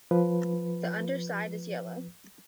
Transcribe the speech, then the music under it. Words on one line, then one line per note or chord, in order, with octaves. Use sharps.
The underside is yellow.
F3 B4